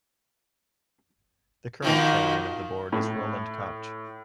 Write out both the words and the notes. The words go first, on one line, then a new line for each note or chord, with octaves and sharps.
The current chairman of the board is Roland Koch.
B2 D#3 F3
A2